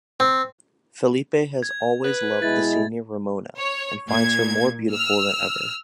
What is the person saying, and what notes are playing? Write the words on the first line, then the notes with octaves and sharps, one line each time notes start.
Felipe has always loved the senior Ramona and finds her more beautiful than ever.
C4
G#6
B4
B2 G#3 E4 A6
C#5
A#2 G#6
E6 F6